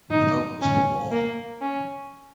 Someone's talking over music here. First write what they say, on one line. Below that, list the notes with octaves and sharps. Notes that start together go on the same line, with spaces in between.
The vote was for war.
D#4
C#4
A#3
C#4